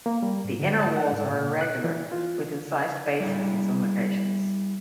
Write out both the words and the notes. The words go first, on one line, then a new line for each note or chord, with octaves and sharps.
The inner walls are irregular, with incised bases in some locations.
A#3
G3
G#2
D3
A5
F#5
G#2
A#2
F#6
E3
F4
G3 E4 G#4